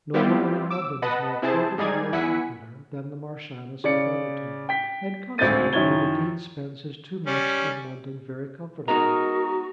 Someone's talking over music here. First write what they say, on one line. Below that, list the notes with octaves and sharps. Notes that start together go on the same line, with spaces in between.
No woman in London is more courted and more popular than the Marchioness of Brotherton, and consequently the Dean spends his two months in London very comfortably.
G3 B3 C4 E4 F4 G4
D6 E6
B4 D#5 F#5 A5 B5
C3 E4 G#4 C5 A5
G#2 G3 D#4 G#4 D5 G#6
E2 E4 F#5 G#5 B6 C#7
C#3 D5 C#7
G5 B6
G#1 D2 C4 G6 A6 D#7
F#2 D#3 E4 C#5 G#6 G7
G3 C#4
G#3 B3 D#4 F#4 A#4 A#5